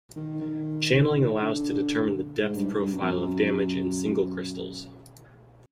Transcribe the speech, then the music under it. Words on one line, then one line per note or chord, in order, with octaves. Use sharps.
Channeling allows to determine the depth profile of damage in single crystals.
D#3
D#3
D3
G#2
G2
G2
F#2
F2
F#2